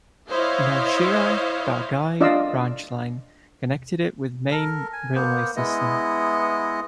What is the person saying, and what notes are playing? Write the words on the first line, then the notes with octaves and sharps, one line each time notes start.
Nowshera-Dargai Branch Line connected it with main railway system.
E4 C5 C#5 D#5 F5
D4 F4 D5 D#5 F5 E6
A4 A#4
G#5
A#3 B3 C5
G#3 B3 E4 D#5